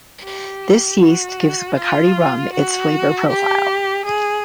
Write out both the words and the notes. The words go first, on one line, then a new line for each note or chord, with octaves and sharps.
This yeast gives Bacardi rum its flavour profile.
G4
F#4
F4
F#4
G4
G#4